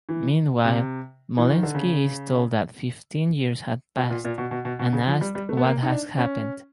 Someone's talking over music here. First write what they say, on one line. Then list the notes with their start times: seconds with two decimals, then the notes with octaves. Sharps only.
Meanwhile, Molenski is told that fifteen years have passed, and asked what has happened.
0.09 E3
0.64 C3
1.38 E3
1.50 D#3
1.63 D3
1.75 C#3
3.96 B2
4.10 A#2
4.25 A#2
4.38 B2
4.51 B2
4.65 B2
4.79 B2
4.93 C#3
5.07 F3
5.21 G3
5.35 G3
5.49 A3
5.57 B3
5.63 A#3
5.83 D#4
5.90 D4
6.18 C#4